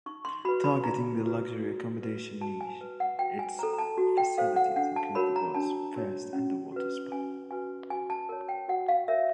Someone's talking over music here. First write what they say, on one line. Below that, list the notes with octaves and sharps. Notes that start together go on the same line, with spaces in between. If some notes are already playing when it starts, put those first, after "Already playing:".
Targeting the luxury accommodation niche, its facilities include the world's first underwater spa.
D#4 C#6
C6
F#4 B4 B5
B5
D#4 A#5
F#4 B4
F#4
B4
F#4 A5
G#5
B4
F#5
F#4 G5
G#5
A4 C5 A#5
A#5
A5
F#4
G5
A4 C5 F5
F#5
D4 F#5
A5
F#4 A#4 C#5 B5
A#5
D4 A5
F#4 A#4 C#5
C#4
F#4 B4
C#4 G#5
F#4 B4 G#5
F#4 G#5
A5
A#4 C#5 A5
G5
F#4 F#5
F5
A#4 C#5 E5